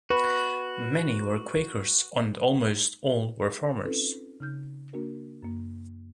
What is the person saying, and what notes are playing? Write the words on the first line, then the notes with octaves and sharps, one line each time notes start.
Many were Quakers, and almost all were farmers.
F#4 B4
C4 C#4 D#4 F4 A4 B4
C#3 D#4 F6 G6
A#3 D4 F#4 A#4
F#2 A#3